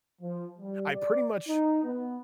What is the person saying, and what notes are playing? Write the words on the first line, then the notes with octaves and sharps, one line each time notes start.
I pretty much
F3
G3
D5
D#4
B3